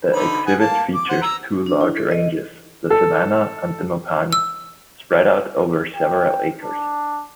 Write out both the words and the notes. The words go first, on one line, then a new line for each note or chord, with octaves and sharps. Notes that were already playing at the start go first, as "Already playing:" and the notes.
The exhibit features two large ranges-the Savanna and the Mopani-spread out over several acres.
D3 D#4 B5
G#4 F#5 G#5
A#3 A5
D6
C5 F#5
A#5 E6
D4
E4
A4
D#5
A4
E6
G5
D4